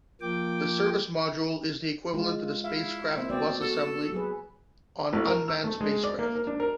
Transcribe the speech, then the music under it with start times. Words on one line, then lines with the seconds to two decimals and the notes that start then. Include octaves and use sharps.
The service module is the equivalent to the spacecraft bus assembly on unmanned spacecraft.
0.21 F3 A#3 G5 D6
2.13 G#3 F4
2.64 E4 F5
3.16 A#3 C4 E4 C5
3.30 B3 C4 F#4 D5
3.61 F#4 A4
4.12 F#3 G#4 B4
5.13 A1
5.27 A#4
5.48 E6
5.64 A3
5.81 G#3
6.04 D5
6.19 A#3
6.35 A#4
6.47 D4
6.60 A#4